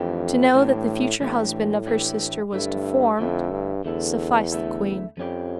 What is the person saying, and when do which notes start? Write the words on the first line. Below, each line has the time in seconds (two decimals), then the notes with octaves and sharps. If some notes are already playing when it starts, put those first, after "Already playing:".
To know that the future husband of her sister was deformed, sufficed the queen.
Already playing: F2 E3 A3 D4 G4
0.54 A2 E3 A3 D4 G4
1.20 A2 E3 A3 D4 G4
1.87 E3 A3 D4 G4
2.53 G2 D3 A3 E4 A4
3.19 F2 D3 A3 E4 A4
3.51 G2
3.84 E2 D3 A3 E4 A4
4.52 D3 A3 E4 A4
5.17 F2 F3 C#4 G4 D5